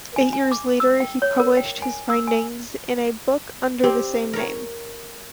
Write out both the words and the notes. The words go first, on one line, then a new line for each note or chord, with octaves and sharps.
Eight years later, he published his findings in a book under the same name.
G#5
G#5
D6
E6
G5
C#5
A#4
G5
G#5
E6
G#5
C4 G4
A#4 C#5